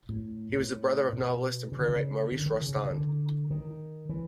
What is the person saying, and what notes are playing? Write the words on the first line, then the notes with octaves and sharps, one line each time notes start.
He was the brother of novelist and playwright Maurice Rostand.
A2
A2
B2
C#3
D3
C#3
D3
D#3
C#3
C#3
D3
D#3
E3